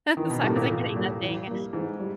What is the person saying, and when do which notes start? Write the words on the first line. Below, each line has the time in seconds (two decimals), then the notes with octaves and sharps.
so I wasn't getting nothing.
0.17 D#3 E3
0.30 B2
0.43 A2 G3 A#3
0.56 A#2
0.69 E3
0.95 G3 A#3
1.22 E3
1.47 G3 A#3
1.73 G#2 E3
2.00 G3